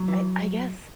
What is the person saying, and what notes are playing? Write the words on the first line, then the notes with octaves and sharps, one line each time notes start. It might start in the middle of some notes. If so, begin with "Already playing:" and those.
I I guess,
Already playing: F#3
E3